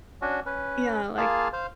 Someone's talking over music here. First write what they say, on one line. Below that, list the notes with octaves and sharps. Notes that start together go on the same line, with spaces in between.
yeah, like
C#4 D4 F#4
C#4 B4
A#3 F4 G#4 F5 A5
C5 F5